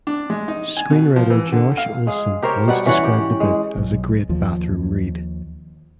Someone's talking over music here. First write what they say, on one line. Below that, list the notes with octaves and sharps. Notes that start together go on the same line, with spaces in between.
Screenwriter Josh Olson once described the book as "a great bathroom read".
D4
G#3
D#4
G#5
B2
F3
E3
D3
F5
G#3 G#4 F5
G4 A#4 C5 C#5
B2 G3 F#5
E3 C#4 C#5 F#5
G4
G#3
B1
D#2 F3